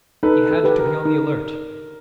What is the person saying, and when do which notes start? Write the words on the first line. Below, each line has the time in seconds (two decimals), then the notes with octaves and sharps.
He had to be on the alert.
0.23 D#4 A4 B4
0.50 A4
0.64 G4 B4
0.78 A#4
1.05 D#4